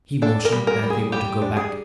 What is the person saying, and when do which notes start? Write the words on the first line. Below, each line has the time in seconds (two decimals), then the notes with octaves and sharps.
He motioned that they were to go back.
0.22 D4 A4
0.45 A#4
0.53 G3
0.67 A#4
0.83 G3
0.90 G#4
1.12 G3 G4
1.42 D4
1.57 G#4